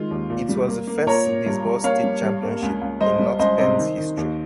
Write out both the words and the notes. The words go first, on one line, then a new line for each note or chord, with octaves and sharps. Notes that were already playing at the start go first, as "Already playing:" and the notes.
It was the first baseball state championship in North Penn's History.
Already playing: D#3 G#3 F4
D#2
A#2
G3
A#3
A#3
A#2 A#4 C#5
A#2
G2
G2
A#3 C#5 F5
G3
G2
A#3
C#2
C#2
G2 C5 D#5
G3
C#2 C5 D#5
C3 C5 D#5
D#3
D#3
D#2